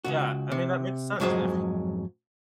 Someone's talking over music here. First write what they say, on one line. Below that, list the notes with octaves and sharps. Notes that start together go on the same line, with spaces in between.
Yeah, I mean, that makes sense, if
C#2 F#2 F#4
C3
F2 G#2 F#3 G#3 G#4 C5